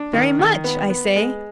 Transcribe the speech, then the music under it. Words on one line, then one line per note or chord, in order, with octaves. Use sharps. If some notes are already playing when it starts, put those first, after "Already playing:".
"Very much," I say.
Already playing: D4
D#3
D#3
B3
B3
G#3